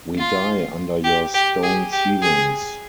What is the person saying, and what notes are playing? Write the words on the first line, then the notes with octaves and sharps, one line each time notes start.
We die under your stone ceilings!
F4
G4
G4
G#4
G4
G#4